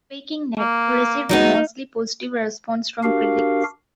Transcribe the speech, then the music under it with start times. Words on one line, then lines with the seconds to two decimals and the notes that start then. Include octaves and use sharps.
"Waking Ned" received a mostly positive response from critics.
0.59 A#3
1.29 F#3 G#3 B3 D#4
3.03 D4 F#4 G4 A#4 F5